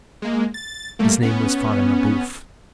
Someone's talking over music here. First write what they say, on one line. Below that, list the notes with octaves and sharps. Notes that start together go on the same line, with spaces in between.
His name was Father Mabeuf.
G#3 A#3
A6
G3 A3 A#3
B3 C#4